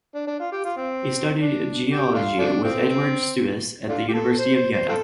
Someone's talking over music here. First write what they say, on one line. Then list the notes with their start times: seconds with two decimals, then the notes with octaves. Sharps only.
He studied geology with Eduard Suess at the University of Vienna.
0.14 D4
0.27 D4
0.39 F4
0.52 G4
0.64 F4
0.77 C4
1.39 D4
1.89 G4
2.14 A3 D4 F4
2.39 F3 A3 D4
2.64 F3 A3 C4
2.77 A3
2.89 C4
3.89 A3 D4 F4
4.08 G4
4.14 A4
4.39 C5
4.55 C5
4.72 C5
4.88 C4 F4 A4